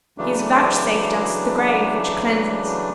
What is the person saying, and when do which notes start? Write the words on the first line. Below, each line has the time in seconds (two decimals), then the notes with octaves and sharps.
He has vouchsafed us the grave which cleanses.
0.18 C#3 E3 F#3 A3 D4